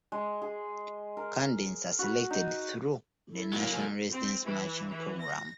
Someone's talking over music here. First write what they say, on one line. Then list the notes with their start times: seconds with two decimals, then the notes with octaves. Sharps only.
Candidates are selected through the National Residency Matching Program.
0.12 G#3
0.42 G#4
1.17 A#4
1.99 F#4 B5
2.30 D#4
3.31 E4 A4
3.53 F#3 A#3
3.71 A4 G#5
4.13 C4
4.45 E3
4.89 E3
5.22 A#6